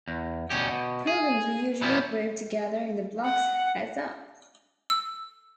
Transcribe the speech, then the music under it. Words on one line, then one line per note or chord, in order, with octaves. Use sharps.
Programs were usually grouped together in the blocks Heads Up!
E2
D2 B2 C#4 G4
B2
G#4
B2 E3 F3 G3 A#3 B3
F#5
E6